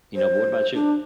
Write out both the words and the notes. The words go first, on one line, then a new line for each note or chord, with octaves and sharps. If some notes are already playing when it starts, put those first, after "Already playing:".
you know? But what about you?
C5
D4